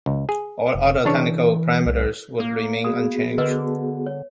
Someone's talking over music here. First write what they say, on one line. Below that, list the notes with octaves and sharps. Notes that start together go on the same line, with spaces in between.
All other technical parameters would remain unchanged.
C#2
G#4
F1
C#3 E3 D4 C#5
C2
A#3
B3 F#4 G#4 D#6
D3 A#4 B4 D#5
C#5